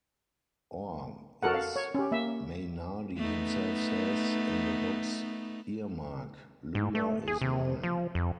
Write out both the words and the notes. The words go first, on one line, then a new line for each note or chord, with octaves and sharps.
Or, as Mainardi himself says in the book's earmark, Lula is mine.
F#4 A4 A#4 F#5
F5
C#5
C#4 G4
A#3 E5
A3 B3 D#4
G#2
A3
G#4
C3
F3
F2